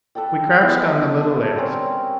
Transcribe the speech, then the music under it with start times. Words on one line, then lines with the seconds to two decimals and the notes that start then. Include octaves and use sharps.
We crouched on the little ledge.
0.15 A4 B4 D5 G5
0.61 G#3 B3 E4
0.80 A3 A4 B4 D#5
1.21 D4
1.57 G3 C4 C#4 A#4